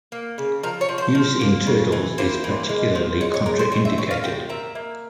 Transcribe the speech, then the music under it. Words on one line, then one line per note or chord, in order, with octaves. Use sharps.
Use in turtles is particularly contraindicated.
A#3
C#3
F3 A#4
C#5
F3
C5
F3
A#3
C#3
E3
A#3 C5
E3
G#3
F3
G#3 C#5
C#5
G#3 A#4
C5
C4 C#5
E5
E3 C#5
F5
C3 G5
A#3 E5
A#3